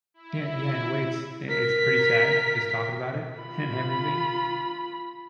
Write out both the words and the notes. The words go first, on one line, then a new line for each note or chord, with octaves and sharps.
Yeah yeah, in a way, it's i it's pretty sad just talking about it and everything.
E4
A#4 B6
F4 B5